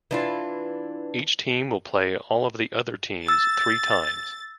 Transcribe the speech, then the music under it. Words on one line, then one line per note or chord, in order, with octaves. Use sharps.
Each team will play all of the other teams three times.
E3 D4 F4
E6 A6